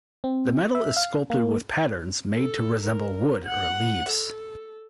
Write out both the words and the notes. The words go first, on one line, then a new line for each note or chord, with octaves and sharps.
The metal is sculpted with patterns made to resemble wood or leaves.
C4
E5
F5
A#3
A4
A#4
F#5
A4